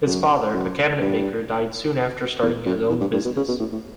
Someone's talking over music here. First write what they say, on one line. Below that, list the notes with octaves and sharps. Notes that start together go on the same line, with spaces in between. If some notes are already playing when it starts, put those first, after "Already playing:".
His father, a cabinet maker, died soon after starting his own business.
F#2
F#2
G2
E2
F#2
E2
G2
G2
B2
C#3
B2
A2
A2